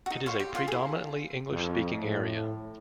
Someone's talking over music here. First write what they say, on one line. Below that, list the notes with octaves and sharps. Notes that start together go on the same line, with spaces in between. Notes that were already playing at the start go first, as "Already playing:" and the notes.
It is a predominantly English-speaking area.
D#4 F#4
C#5 F5 C6
G4
F4 F5 C6
E4 G#4
F2
A2